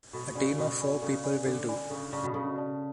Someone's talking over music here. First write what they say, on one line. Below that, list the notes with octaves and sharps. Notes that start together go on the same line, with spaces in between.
A team of four people will do.
B2 A4
C#3 D5 G#5 B5
B2 A4
D5 G#5 B5
C#3 A4
D5 G#5 B5
D3 A4
D5 G#5 B5
C#3 A4
C#3 D5 A5
B2
C#3 A4
D5 A5